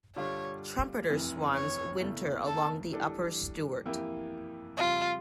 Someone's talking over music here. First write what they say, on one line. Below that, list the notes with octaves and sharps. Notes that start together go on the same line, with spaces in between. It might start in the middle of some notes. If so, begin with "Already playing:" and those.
Trumpeter swans winter along the upper Stuart.
D3 G3 D4 F4 C#5
F1 F2 E3
C#5
E2 C#3 E3 A3
A4
E3 G3 D4 A4
F2 E3 A#3 E4 G4
F2 C#3 G3 F4